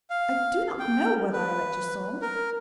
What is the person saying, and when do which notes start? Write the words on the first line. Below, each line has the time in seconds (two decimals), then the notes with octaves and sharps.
"I do not know whether I liked your song."
0.10 F5
0.79 G5
1.33 B4
2.22 A#4